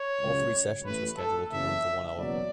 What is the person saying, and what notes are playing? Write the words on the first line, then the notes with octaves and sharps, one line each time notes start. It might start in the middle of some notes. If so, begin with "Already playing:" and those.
All three sessions were scheduled to run for one hour.
Already playing: C#5
C#2 C#3 F#3
A1 A2 E3 B4
A4
F#1 E2 C#3 E3 E5
F#1 E2 B2 F#3 D5